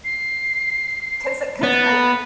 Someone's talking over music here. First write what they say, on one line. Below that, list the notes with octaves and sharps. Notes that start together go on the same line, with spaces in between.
'Cause I 'cause I,
C7
B3 A6